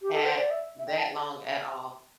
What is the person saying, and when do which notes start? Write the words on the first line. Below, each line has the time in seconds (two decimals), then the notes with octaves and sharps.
At that long at all.
0.02 G4
0.13 A4
0.25 C5
0.37 D5
0.51 E5
0.79 E5
0.87 G5
0.97 A5